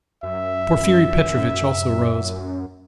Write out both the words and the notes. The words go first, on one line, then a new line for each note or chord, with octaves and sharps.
Porfiry Petrovitch also rose.
F#2 E5